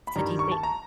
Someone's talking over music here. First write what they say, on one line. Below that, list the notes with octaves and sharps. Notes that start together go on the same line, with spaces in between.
So, do you think
B5
G2 D#3 G3 A#5
C#6
A5
A#5